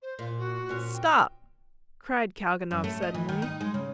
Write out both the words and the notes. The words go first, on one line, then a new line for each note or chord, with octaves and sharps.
"Stop!" cried Kalganov suddenly.
C5
A#2 F4
F#4
A#2 C#4
G5
F#2
A3
D#5
E3
D#3
D#4
G#3
C#3